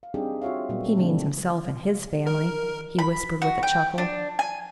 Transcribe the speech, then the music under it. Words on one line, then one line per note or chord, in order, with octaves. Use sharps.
"He means himself and his family," he whispered with a chuckle.
F5
G3 C4 D4 D#4 G4 G#4
F4 F#4 C#5 E5 F5
A#2 F#3 G3 A#3 B3
A4
C#3 F3 G3 A3 C4 D4
A#4
B5
F#4
G5
D4
G#5